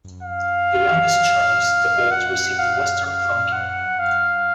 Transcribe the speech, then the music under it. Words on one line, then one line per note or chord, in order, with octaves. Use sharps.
The youngest, Charles the Bald, received western Francia.
F5
F#5
F5
F5
F#5
F5